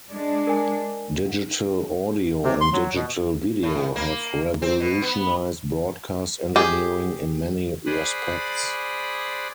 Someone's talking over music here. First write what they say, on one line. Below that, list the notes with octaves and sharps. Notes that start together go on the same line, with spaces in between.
Digital audio and digital video have revolutionized broadcast engineering in many respects.
G#3 D4
A#4 G#5
C3
C6
F#3
B2
A2
A#3
C4
B2
B3
G4 G#4
G#4 C5 D5 B5 D#6 F#6